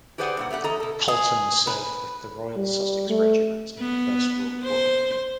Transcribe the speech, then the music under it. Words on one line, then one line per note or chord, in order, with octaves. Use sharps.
Hulton served with the Royal Sussex Regiment in the First World War.
G4 G#4 B4 C5 D5 F#5
G2 A#2 F#5
A3 B3 G4 F#5
E2 A4 D#5 A#5
B2 A4
G#4
B4
G3
A3
B3
C5